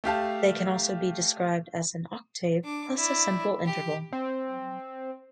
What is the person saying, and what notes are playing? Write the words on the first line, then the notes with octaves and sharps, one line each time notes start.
They can also be described as an octave plus a simple interval.
A3 G4 F5 A5
D4 D6
E4 D5
G4
C4